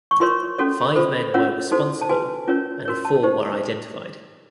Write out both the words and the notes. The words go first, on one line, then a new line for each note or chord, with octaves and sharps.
Five men were responsible and four were identified.
C#6
F4 A#4 C#5 C6
C#4 F#4 A4 C#5
F4 A4 C5 B5
C#4 F4 A#4 C#5 F#5
D#4 F#4 A4 C5
A5
F#4 B4 G#5
C#4 F4 A#4 C#5
F#4 A#4 C#5
A5
D#4 G4 C5